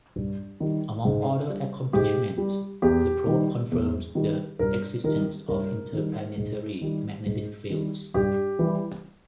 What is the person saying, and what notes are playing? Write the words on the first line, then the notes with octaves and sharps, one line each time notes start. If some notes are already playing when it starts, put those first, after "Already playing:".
Among other accomplishments, the probe confirmed the existence of interplanetary magnetic fields.
G2
D#3 G3
G#2
G3
G#2 G4
G3
E2 G4
D#3 G3
E2
D#3 G3
G2 A#4
D#3 G3 A#4
G2 A#4
D#3 G3
G#2
D#3 G3
G#2
D#3 G3
G2 G4
E3 G3